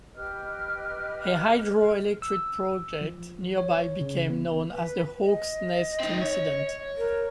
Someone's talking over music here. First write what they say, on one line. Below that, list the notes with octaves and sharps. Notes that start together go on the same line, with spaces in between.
A hydro-electric project nearby became known as the Hawk's Nest Incident.
G4 B4 D#5 F6
E6
F3
C#5
C#3
B3
B4
D#5
C4 D#4
C#5
A#4